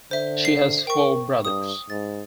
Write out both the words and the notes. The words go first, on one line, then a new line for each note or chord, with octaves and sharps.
She has four brothers.
D3 C5 E5
C7
A#4 G5 C#6
G2 D#6
G#2 A6